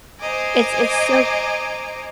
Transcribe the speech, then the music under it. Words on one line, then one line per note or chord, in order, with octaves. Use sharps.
it's it's so
C5 D#5 G#5 A#5 D6